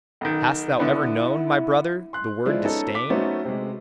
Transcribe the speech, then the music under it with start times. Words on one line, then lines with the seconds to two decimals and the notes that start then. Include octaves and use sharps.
Hast thou ever known, my brother, the word "disdain"?
0.21 B1 D#3
0.80 D3 B3 E4
2.13 C6 F#6
2.45 F3 G#3 B3 D4 E4 F4
2.63 B3 C#4 D#4 A4
2.95 D6 B6
3.10 F#3 A3 B3 C#4 D#4 C5
3.45 C3 G#3